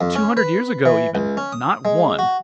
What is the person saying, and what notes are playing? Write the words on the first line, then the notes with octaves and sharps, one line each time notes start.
Two hundred years ago even--not one!
F2
C#4
B4
E3
C#2
C#4
D#6
G#3
F#4